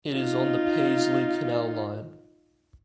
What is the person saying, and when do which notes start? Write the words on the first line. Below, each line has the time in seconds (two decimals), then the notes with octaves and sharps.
It is on the Paisley Canal Line.
0.16 D#4 F4